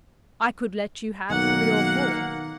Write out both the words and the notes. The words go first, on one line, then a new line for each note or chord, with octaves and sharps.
I could let you have three or four.
B1 D#3 A#3 F#5